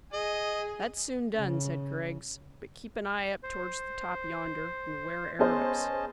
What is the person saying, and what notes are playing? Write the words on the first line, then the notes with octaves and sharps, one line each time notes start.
"That's soon done," said Griggs; "but keep an eye up towards the top yonder, and 'ware arrows."
G#4 D#5
C#3
C5
B3 C#4 G#4 C5 D#5 A5